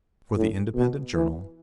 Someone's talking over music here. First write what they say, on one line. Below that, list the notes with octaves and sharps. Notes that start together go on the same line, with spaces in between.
For the Independent Journal.
A2
B2
E3